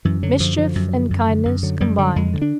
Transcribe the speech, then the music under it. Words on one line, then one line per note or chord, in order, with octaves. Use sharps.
Mischief and kindness combined.
F#2 E3
D3 F#3
F#2 F3
D3 F3
F#2
D3
F#2
D3
F#2
D3 F#3
F#2 G3
D3 G3
F2 G#3
D3
D4